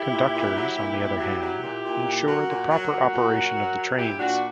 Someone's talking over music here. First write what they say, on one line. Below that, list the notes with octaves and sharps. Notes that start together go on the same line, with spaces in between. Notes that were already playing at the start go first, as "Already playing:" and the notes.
Conductors, on the other hand, ensure the proper operation of the trains.
Already playing: E4 G4
A#2
A#2
F#3
A#2
A#2
F#3
F#3 E4 G4
A#2
A#2
A#2
F#3 F#4 A#4
A#2
F#3
F#3
A#2
F#3
F#3
F#3
A#2 E4 G4
A#2 D4 F#4